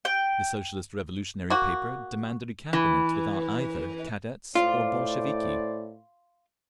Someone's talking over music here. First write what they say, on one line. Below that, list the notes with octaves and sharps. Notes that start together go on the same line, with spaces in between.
The Socialist Revolutionary paper demanded a Cabinet without either Cadets or Bolsheviki.
G5
A#3 F#4
E3
A2 F4 C5 D5